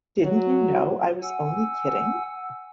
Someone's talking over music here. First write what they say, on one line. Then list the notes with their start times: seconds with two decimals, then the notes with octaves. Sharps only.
Didn't you know I was only kidding?
0.24 F#3
1.22 F#5 G#5 E6